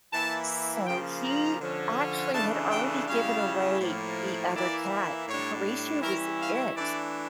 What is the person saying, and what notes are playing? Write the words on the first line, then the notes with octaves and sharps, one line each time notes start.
So, he actually had already given away the other cat, Horatio was it.
E3 A#3 E4 A5
C#3 F3 A#3 G5
A#5
D3 F3 C#4
C#3 E3 A3 D4 A5
G5
C#3 G3 C#4 E4 F5
A2 F3 A#3
E3 A#3 E4 D5
A2 G3 D4 C#5
E3 G3 C#4 E4 A#4
F5
E3 A3 D4 D5